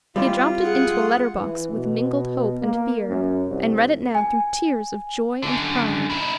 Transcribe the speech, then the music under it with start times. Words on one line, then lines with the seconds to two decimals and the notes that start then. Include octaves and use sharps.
He had dropped it into a letter-box with mingled hope and fear, and read it now through tears of joy and pride.
0.16 G3 C4 E4 F4
0.62 G#4 F#5
1.37 E3
1.73 B2
2.62 A#3
3.09 F#2
3.48 C2
4.15 G#5
5.42 F#2 D3
6.10 D#4 E4